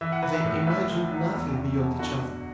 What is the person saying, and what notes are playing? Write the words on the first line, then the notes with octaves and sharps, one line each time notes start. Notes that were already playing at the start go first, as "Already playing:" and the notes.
They imagined nothing beyond each other.
E3 E5
F#5
E3 B4 E5
B4 E5
A2
D2 B4 E5
D2
F#3
E2
E2
B2
D3 F#4